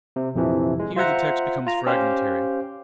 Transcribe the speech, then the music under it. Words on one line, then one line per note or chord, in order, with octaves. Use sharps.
Here the text becomes fragmentary.
C3
A#1 F2 C3 E3 F3
G#3
F4 C5 E5 F#5 A#5
F4 A#5
C#4 G4 C5 F5